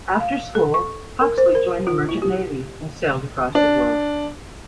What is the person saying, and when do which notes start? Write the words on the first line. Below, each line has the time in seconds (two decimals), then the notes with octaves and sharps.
After school, Hawksley joined the Merchant Navy, and sailed across the world.
0.20 F5
0.55 A4
0.74 C#6
1.21 A#4
1.38 C5
1.55 A#4
1.87 F4
2.09 E4
2.22 G4
3.55 D4